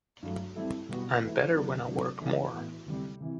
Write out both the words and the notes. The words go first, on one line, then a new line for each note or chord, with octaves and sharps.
I'm better when I work more.
G2 F#3 A3
G3 C4 E4 A4
B2 G3 B3 F#4
E3 A3 E4 B4
D3 F#3 B3 D4
C3 F#3 A3 D4
E3 B3 D4 A4
A2 E3 B3 F#4
D2 C3 G3
C3 E3